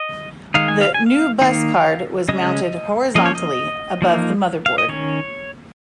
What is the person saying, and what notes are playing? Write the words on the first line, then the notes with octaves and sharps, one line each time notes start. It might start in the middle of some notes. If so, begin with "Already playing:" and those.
The NuBus card was mounted horizontally above the motherboard.
Already playing: D#5
D#3 G#3 D#4 F5
G#5
F5
G#5
F5
D#3 A#3 D#4 F5
C#3 G#3 C#4 D#5
F3 A#3 C#4 D#5
C#5
D#5
F3 A#3 D#4
F5
D#5
D#3 C#4 C#5